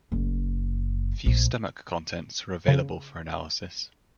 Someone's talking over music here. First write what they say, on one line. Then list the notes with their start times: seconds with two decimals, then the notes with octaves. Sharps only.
Few stomach contents were available for analysis.
0.12 F#1
1.26 A#1
2.68 C#3